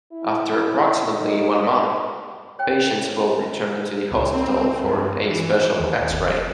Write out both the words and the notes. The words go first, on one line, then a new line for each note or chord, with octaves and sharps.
After approximately one month, patients will return to the hospital for a special x-ray.
E4
D#4
C#5 G5
C#2
C4
G2
E3
D#2
F1